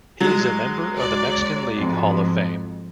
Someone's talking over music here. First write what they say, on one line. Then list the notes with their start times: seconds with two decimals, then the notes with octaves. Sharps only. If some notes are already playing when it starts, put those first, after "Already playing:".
He is a member of the Mexican League Hall of Fame.
0.20 F#3 G#3
0.97 C#2 C#5 D5
1.76 F2 G#2